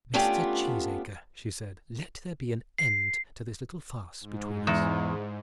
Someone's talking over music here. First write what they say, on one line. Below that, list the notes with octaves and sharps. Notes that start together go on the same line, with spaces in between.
"Mr. Cheesacre," she said, "let there be an end to this little farce between us."
A3 B3 C#4 D4 F4 G4
C7
G#2
E2